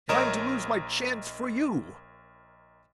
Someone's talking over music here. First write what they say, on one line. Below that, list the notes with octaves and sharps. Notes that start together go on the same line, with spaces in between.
And I'm to lose my chance for you!
A#1 A#4 C#5 D#5 E7